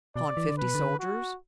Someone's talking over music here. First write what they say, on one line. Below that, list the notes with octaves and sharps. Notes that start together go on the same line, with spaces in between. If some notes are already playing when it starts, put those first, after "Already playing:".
"Upon fifty soldiers?"
B2 D5
E3
D3
B2 B4
D3
F#4